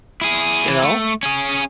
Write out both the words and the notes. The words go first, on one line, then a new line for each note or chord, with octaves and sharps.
you know?
E4 G#4
E3
A3
C#4 G#4